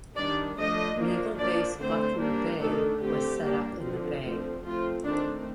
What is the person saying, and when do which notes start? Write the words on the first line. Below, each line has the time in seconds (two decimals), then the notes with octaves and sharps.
Naval Base Buckner Bay was set up in the bay.
0.16 D#3 G3 D4 D5
0.57 F3 A3 D4 D#5
0.98 F3 A#3 D4
1.38 F3 A#3 D4 D5
1.79 D3 A3 C4 C5
2.20 G3 A#3 D4
2.61 D#3 A3 D4 A4
3.01 D3 A3 C4 G4
3.42 G3 A#3 D4
3.82 D3 F3 C4
4.23 D3 F3 A3 C4
4.64 F3 A3 C4 F4
5.05 D#3 A3 C4 D4